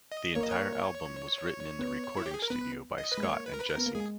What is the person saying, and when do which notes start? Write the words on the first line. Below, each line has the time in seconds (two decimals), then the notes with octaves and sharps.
The entire album was written in the recording studio by Scott and Jesse.
0.12 D#5
0.35 A#3 C#5
0.43 D#5
0.51 C#5
1.79 B3
2.17 E4
2.26 G4
2.34 G#4
2.42 A#4
2.50 B3 B4
2.98 D#5
3.12 B4
3.17 G#3
3.22 A#3 C#5
3.46 B4
3.54 A#4
3.61 B4
3.70 A#4
3.78 B3
3.86 A#3
3.95 G#3 G#4